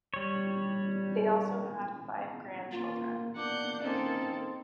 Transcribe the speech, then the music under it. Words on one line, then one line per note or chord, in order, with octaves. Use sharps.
They also had five grandchildren.
G3 C#5
A#3 F4
A#3 B3 D4 F#5 D6 G6
A#3 C4 C#4 D#4 A4